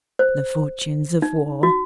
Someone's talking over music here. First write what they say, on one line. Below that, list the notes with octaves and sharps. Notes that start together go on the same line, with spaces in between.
"The fortunes of war ..."
C5
D#4
F#4